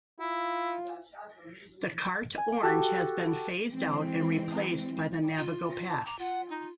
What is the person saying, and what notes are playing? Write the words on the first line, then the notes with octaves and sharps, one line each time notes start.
The Carte orange has been phased out and replaced by the Navigo pass.
E4 F4
G#5
F#4 G4 A4
E3 G#3 C4
F4
A5
A#5 D6
F4 F#5
D#4